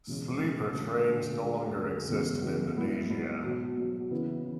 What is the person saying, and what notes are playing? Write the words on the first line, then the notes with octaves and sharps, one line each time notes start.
Sleeper trains no longer exist in Indonesia.
E1 E2 C#3 G#3 C#4
E1 E2 C#3 G#3 C#4
D3 F#3 A3
D3 F#3 A3
D2 D3 G#3
D2 D3 G#3
E2 C#3 G#3 B3 F#4
E2 C#3 G#3 B3 F#4
G#2 F#3 B3 E4
G#2 F#3 B3 E4
B1 B2 F#3
B1 B2 F#3
C#3 E3 B3 E4 B4
E3